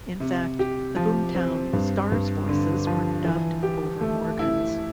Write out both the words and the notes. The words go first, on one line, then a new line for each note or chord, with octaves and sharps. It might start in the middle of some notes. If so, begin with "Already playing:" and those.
In fact, the "Boom Town" stars' voices were dubbed over Morgan's.
C3
G4
F3
C4
G2
G2
D3
F3
E3
G4
A3
E4